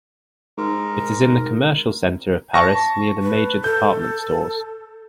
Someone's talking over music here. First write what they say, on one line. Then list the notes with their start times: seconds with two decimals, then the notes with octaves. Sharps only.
It is in the commercial centre of Paris, near the major department stores.
0.58 G#2 A#4
2.54 A5 C#6 A#6
3.22 B4
3.64 A4 G6